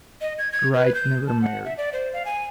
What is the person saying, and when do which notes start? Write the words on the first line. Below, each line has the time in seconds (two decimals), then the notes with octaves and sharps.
Wright never married.
0.21 D#5
0.38 G#6
0.52 G#6
0.74 B4
0.95 G6
1.27 A5
1.42 F#5
1.65 E5
1.78 D5
1.93 C5
2.13 F5
2.25 G#5